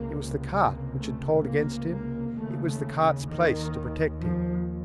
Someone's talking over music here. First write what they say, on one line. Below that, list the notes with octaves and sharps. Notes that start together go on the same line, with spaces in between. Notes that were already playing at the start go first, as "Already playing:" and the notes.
It was the cart which had told against him, it was the cart's place to protect him.
Already playing: C#2 C3 A#3
A#3
A3
A#3
A#3
D#2 C#3 A3
A3
C#3
D#3
F3